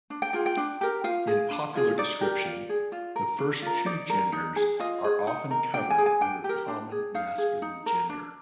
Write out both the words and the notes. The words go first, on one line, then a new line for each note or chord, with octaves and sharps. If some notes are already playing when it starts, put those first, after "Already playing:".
In popular description, the first two genders are often covered under common masculine gender.
D4
G5
F4 G#4 G5
G5
D4
G4 A#4
F4 F5
G#4
D4
F4 G#4
D#4 D5
G4 A#4
F4
G#4
F4
A#4
D4
F4 A#4
D#4 D5
A#4
D#4
G#4
F4 D#5
G#4
D#4
A#4
D4 G5
G#5
G#4
G#5
D4 G5
G4
A#4
D4
G#4
D#4 F5
G#4
D#4
A#4
D4